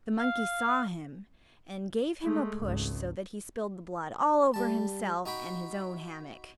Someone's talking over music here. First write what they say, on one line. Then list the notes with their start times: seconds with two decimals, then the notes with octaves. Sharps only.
The monkey saw him and gave him a push so that he spilled the blood all over himself and his own hammock.
0.20 F5
2.23 G#3 A3
2.60 G#1 C#2
4.54 G3 A5
5.25 D#4 F#4 G5 B5